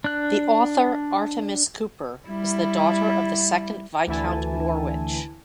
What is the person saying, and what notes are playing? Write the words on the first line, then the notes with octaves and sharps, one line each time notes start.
The author Artemis Cooper is the daughter of the second Viscount Norwich.
D4 F#6
G3 E4
D2 D3 E3 E4 G#5 A5